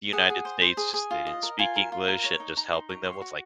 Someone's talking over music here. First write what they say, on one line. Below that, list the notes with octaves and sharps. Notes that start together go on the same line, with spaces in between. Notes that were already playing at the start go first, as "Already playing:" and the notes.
United States, just they didn't speak English and just helping them with, like,
G#4 F#5
G#4
C5
C5
G#4
G#4
F4
D#5
A#4
F4 G#5
A#4
F4
A#4
C#5
D#4
D#4 A#5
D#4 C6
C#5 A#5
C#5 C6
F#4